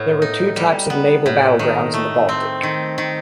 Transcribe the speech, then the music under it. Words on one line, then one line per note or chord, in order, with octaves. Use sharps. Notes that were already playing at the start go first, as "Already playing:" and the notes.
There were two types of naval battlegrounds in the Baltic.
Already playing: A2 B3
D#4
G3
B3
A2
D#3
A3
C4
D#3
D#3